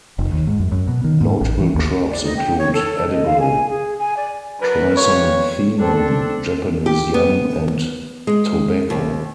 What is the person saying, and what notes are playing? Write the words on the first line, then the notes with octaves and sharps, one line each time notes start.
Notable crops include edible chrysanthemum, Japanese yam and tobacco.
F1
D#2
G#2
F#2
F#2
B2
D#3
G#2
A1
E3
D#2
D5
D#4
G5
C#5
A4
D#5
F5
G#5
G#4
G#5
D5
C#3 F#3 D4 A#4 B4
G3 F4 B4 C#5
C4 D4 A4
G4
B3
G#3
D#2